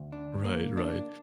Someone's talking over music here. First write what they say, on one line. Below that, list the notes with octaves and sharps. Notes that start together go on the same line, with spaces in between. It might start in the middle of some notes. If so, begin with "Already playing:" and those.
Right, right.
Already playing: D2
D4
A#3
D4